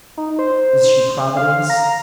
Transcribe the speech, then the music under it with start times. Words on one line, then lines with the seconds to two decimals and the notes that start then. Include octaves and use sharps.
Is she Providence?
0.17 D#4
0.39 C5
1.37 F5
1.70 A#5